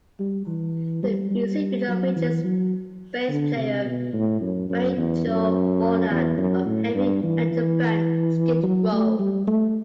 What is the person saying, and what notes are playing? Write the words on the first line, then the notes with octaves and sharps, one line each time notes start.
The music video features bass player Rachel Bolan of Heavy Metal band Skid Row.
G3
E3
G3
G3
F#3
E3
F#3
D3
C3
B2
A2
F#2
F#2
E2
F#2
E2
F#2
A2
G2
E3
E3
F#3
A3
G3
A3